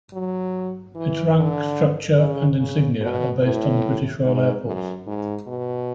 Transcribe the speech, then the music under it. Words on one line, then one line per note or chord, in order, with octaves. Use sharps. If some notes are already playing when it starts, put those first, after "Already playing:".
Its rank structure and insignia are based on the British Royal Air Force.
F#3
E3
D3
C#3
C#3
B2
A2
G#2
F#2
G#2
B2